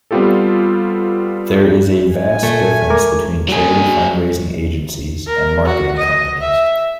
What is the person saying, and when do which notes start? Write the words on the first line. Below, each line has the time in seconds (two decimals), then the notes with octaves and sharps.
There is a vast difference between charity fundraising agencies and marketing companies.
0.11 G3 B3 C4 F4 G4 A4
2.10 G#5
2.43 A#2 A3
2.90 G#3 A#4 D6
3.49 F#3 G#4
5.27 A#4
5.65 F#4
5.97 D#5
6.41 E5